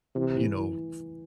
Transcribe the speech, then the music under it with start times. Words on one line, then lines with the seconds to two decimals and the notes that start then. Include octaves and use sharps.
you know, f
0.15 C3 E3
0.36 E3
0.56 E3